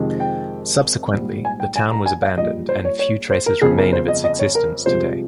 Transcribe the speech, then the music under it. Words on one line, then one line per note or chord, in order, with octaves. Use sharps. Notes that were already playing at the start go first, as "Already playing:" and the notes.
Subsequently, the town was abandoned and few traces remain of its existence, today.
Already playing: F2 C3 D#3 G#3
G5
A#1 G#2 G3
G#5
G5
G#5
A#5
G#5
F5
A#1 A#2 G3 D#5
C5
C#5
C#5
C5
A#4
G1 F2 C#3 G#4
A#4
C5
D#5
D#5
C#5
A#4
C2 C3 F3 G#3 C5